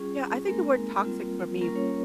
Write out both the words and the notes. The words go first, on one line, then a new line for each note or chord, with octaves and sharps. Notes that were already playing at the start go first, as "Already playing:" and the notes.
Yeah, I think the word toxic for me
Already playing: G3 C#4 F4 G#4
G#3 A#3 C4 D#4 A#4
G3 C4 F4
G3 A#3 C#4 F4 A#4
C#4 C#5